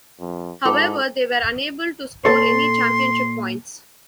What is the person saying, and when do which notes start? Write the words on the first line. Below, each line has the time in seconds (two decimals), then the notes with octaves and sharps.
However, they were unable to score any championship points.
0.20 F2
0.65 G#2 F4 A4 D6
2.25 A#2 A4 C#5 C6